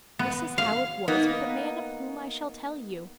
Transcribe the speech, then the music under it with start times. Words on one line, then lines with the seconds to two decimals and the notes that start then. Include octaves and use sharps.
This is how it was with a man of whom I shall tell you.
0.19 B3
0.58 F5
1.08 A#3 B3 D#4